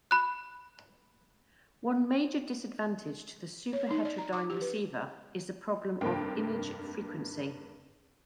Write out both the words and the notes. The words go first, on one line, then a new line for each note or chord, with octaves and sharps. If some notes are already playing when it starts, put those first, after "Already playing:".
One major disadvantage to the superheterodyne receiver is the problem of "image frequency".
B5 F#6
C#5
D#4
D5
A#5
D6
G4
B4
F1 G2 A#3 G5